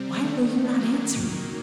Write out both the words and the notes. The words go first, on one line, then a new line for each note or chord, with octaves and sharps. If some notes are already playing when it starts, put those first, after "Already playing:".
Why will you not answer me?
Already playing: C3 G3 C4
D#3 A3 D4
D#3 F#3 A#3